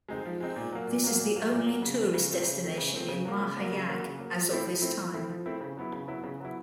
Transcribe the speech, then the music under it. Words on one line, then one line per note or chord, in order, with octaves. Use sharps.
This is the only tourist destination in Mahayag as of this time.
G#3 C4 D#4
F3
G#3 C4 D#4
A#2
F#3 A#3
A#2
F#3 A#3
A#2
F#3 A#3
A#2
F#3 A#3
C#3
F3 A3 C4
C#3
F3 A3 C4
C#3
F3 A3 C4
C#3
F3 A3 C4
C#3
F#3 A#3
C#3
F#3 A#3
C#3
F#3 A#3
C#3
F#3 A#3
F3
A3 C4 E4
F3
A3 C4 E4
F3
A3 C4 E4
F3
A3 C4 E4
C#3
F#3 B3 E4
C#3
F#3 B3 E4
C#3
F#3 B3 E4